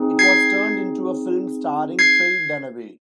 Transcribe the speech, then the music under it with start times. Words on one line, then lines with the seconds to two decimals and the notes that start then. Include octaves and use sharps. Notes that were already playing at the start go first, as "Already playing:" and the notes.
It was turned into a film starring Faye Dunaway.
Already playing: C4 D#4 G#4
0.19 G#6 C7
1.99 G#6 C7